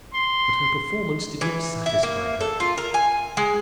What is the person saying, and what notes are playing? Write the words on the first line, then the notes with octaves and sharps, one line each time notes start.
But her performance did not satisfy her.
C6
E3
E4
A#3
A4
F4
A#4
G#5
G#3